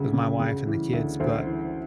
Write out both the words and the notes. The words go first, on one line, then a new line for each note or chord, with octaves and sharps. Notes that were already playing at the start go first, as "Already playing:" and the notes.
with my wife and the kids. But
Already playing: D2 C#3
C#3
C#3
E3
D2
D2 C5
E3